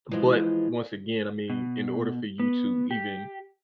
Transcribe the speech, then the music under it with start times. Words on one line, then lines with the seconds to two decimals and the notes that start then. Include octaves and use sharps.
but, once again, I mean, in order for you to even
0.11 E3 F3 G#3 F4
1.50 B2
2.39 B3
2.91 G4